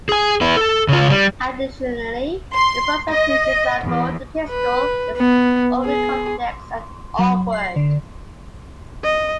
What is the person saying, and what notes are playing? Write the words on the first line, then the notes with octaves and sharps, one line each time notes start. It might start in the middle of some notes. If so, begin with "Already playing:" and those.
Additionally, the process to disassemble the pistol is overly complex and awkward.
G#4 G#5
B3 E4
A4
C#3 F4
G3
C6
D#5
E2
B4
B3
G#4
F#3
C7
D3
D#5